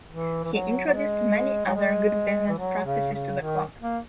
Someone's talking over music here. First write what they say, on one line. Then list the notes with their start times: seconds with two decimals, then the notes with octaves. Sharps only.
He introduced many other good business practices to the club.
0.11 E3
0.45 E3
0.53 F#3
0.87 F#3
0.93 G#3
1.65 F#3
1.75 G#3
2.49 E3
2.58 F#3
2.85 C#3
3.13 C#3
3.40 D#3
3.81 A#3